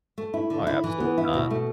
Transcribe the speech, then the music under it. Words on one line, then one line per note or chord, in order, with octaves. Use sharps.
Oh, yeah, absolutely not.
A3
E4
D3
E4
E3
B3
E4
B2
A3